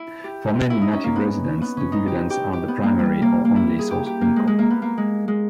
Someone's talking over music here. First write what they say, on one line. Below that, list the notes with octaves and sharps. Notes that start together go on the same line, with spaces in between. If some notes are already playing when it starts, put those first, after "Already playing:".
For many native residents the dividends are the primary, or only, source of income.
Already playing: E4
G4
E4
D#4
C#4
A#3
B3
B3
C#4
D#4
G4
G4
G4
B3
A#3
G3
A#3
A#3
E4
G#4
G4
G4
A#3
G#3
G#3
A#3
B3
A#3
G#3
G#3